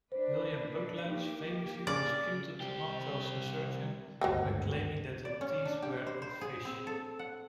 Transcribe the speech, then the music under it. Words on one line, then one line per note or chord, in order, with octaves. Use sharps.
William Buckland famously disputed Mantell's assertion, by claiming that the teeth were of fish.
D4 B4 C5
A#3 D#4 G4
C#3 D5
C2 G4
G#1 D2 G2 F#3 G3 C4
D5
C#4
D4
G4
C5
C5
G#4
C4
A4
F#5